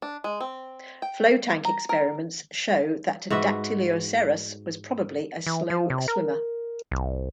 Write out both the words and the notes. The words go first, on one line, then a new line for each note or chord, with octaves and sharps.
Flow tank experiments show that "Dactylioceras" was probably a slow swimmer.
D4
G#3
C4
G5
A#5
A#4
G#2 F#4 B4 E5
E3
F3
C3
A#4
C2